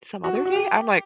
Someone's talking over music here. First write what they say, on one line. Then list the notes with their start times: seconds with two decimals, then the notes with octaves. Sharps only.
some other day?" I'm like
0.24 F#4
0.35 F#4
0.45 F#4
0.56 G4